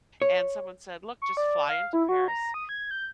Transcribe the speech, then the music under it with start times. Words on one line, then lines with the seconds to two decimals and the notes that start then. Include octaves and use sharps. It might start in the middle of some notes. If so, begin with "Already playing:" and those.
And someone said, "Look, just fly into Paris,
0.22 C#5
1.22 C#6
1.37 D5
1.69 F5
1.93 E4
2.09 F#4
2.28 A#5
2.54 D#6
2.69 G#6
2.91 G6